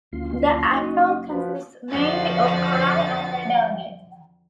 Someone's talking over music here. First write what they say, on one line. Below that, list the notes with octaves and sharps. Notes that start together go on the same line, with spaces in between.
The atoll consists mainly of coral and red algae.
F#1 D2 F4 C6
D#4 F#4 D#5
F3 F#4 B4
F2 D3 F3 F#4 A6